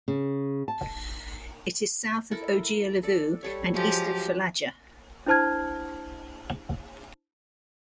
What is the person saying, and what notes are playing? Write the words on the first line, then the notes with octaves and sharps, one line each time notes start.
It is south of Ogea Levu and east of Fulaga.
C#3
A5
E4 A4 A#4
A4 D5
G3 A4 C#5
F3 F#3 G#3 G4 C5
D4 E4 C5 A5 F6 G#6